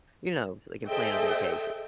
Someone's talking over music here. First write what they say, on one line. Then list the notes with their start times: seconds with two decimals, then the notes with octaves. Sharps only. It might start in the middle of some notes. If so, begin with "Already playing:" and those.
you know, so they can plan a vacation,
0.88 G#4 A4 C5 D#5 E5 G5